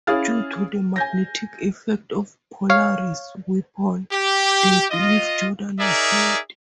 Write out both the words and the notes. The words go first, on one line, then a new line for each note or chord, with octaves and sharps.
Due to the magnetic effect of Polaris' weapon, they believed Jordan was dead.
C#4 E4 G#4 F5 F6 A6
G#5 G6 A#6
C#5 F5
G4
F4 D#5
D#4 G#4 A#4 D5 E5